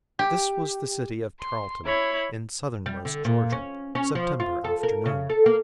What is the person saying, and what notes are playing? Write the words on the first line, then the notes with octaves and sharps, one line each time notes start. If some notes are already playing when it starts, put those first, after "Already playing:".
This was the city of Tarleton in southernmost Georgia, September afternoon.
G4
C6
E4 C#5 B5
G3
D3
A#2
C#4
C#4
F3
F4
A4
A#4
C#3
A4
A#3